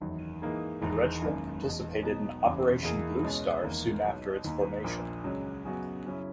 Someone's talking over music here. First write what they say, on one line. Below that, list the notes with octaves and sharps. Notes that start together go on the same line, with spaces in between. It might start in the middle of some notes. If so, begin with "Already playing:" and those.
The regiment participated in Operation Bluestar soon after its formation.
F#1 E2 D#3 F#3
G#2 E3 A#3 D#4 G#4
E1 E2 D#3 G#3 D#4
G#1 F#2 D#3 A#3
E1 E2 B2
B1 B2 F#3 B3 D#4
F#1 E2 C#3 F#3
E2 B2 A#3 E4 G#4
C#2 B2 G#3 C#4
E1 E2 D#3 A#3
B1 B2 F#3
D#2 D#3 A#3 D#4
A#1 A#2 A#3
C#2 C#3 F#3
F#2 C#3 F#3 B3 F#4
F#2 C#3 F#3 C#4 E4